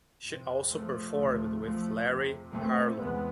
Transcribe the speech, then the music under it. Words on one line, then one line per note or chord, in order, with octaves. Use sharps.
She also performed with Larry Harlow.
F2 C3
F3 A3
D2 C3
F3 A3
F2 C3
A3 C4
E2 C3 G#3 B3